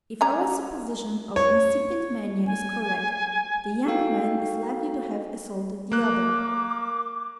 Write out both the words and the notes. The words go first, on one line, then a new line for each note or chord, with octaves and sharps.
If our supposition of incipient mania is correct, the young man is likely to have assaulted the other.
G3 C#4 A#5
C#5
G#5
D#4 F#4 A4 F5 G5
A#3 D6 F#6